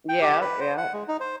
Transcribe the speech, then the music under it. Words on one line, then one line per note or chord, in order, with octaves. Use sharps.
Yeah yeah.
G5
G4
B4
C5
F#5
G#3
D#4
C5